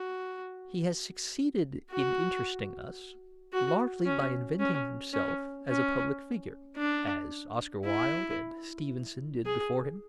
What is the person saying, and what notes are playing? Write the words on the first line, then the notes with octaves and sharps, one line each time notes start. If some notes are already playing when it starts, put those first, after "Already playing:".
He has succeeded in interesting us largely by inventing himself as a public figure, as Oscar Wilde and Stevenson did before him.
Already playing: F#4
F#4
F#4
C#4
C#4
C#4
C#4
D4
E4
G#4